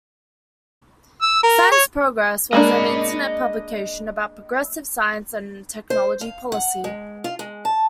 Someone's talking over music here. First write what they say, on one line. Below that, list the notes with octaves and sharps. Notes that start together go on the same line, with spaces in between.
Science Progress was an internet publication about progressive science and technology policy.
E6
A#4
C#5
G#3 A#3 D4 D#5 B5
C5
F5
F#5
G#3
F4
G#3
A5